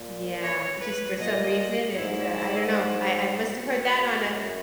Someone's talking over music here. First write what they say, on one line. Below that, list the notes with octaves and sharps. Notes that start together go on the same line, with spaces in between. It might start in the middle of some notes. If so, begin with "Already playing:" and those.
Yeah, it's just for some reason, it's, uh I don't know, I I must have heard that on a
Already playing: A#2
C#5
B4
A#2 D#5
G#2 E4
F#4
F#2